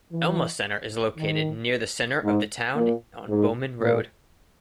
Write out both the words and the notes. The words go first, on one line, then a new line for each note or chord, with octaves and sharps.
Elma Center is located near the center of the town on Bowen Road.
E3
D#3
G#2
A#2
G#2
A#2